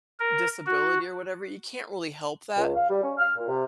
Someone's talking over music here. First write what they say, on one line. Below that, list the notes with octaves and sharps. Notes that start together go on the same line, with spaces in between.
disability or whatever, you can't really help that,
A#4
F#4
C#2
F5
G3
C#4
F6
A#2
C3